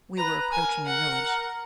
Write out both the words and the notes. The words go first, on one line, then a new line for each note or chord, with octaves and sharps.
We were approaching a village.
B4 A#5
A#4 G#5
F#5